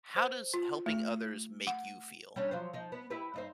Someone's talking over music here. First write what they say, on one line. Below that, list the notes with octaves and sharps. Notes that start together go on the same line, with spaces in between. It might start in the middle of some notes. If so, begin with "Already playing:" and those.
how does helping others make you feel?
C5
F4
A3
F#5
G3 C#4 D4
F3 F#3 C5
F3 D#4
B3
E4 G4 B4
G2 D#4 C5